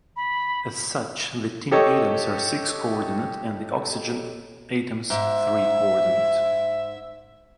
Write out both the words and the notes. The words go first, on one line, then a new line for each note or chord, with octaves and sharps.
As such the tin atoms are six coordinate and the oxygen atoms three coordinate.
B5
G4 A4 C#5 D#5
G#2 E5